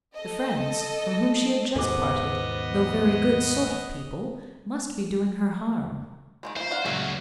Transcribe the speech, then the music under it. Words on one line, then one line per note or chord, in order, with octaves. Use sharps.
The friends from whom she had just parted, though very good sort of people, must be doing her harm.
A4 D#5
D#2 G#2 B2 B3 A4 C5 D#5 D6
D#3 F#3 G#3
E3 F3 C5
D4 F5 F#5
C#2 F#3 A3 A#4 E5